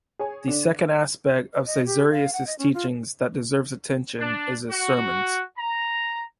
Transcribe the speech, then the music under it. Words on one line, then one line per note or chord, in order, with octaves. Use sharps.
The second aspect of Caesarius's teaching that deserves attention is his sermons.
G#4 C#5 G#5
D3 D4
B4
D#5
G4
F5
F#5
D#5
C#4
F4
D4
F#4
A#5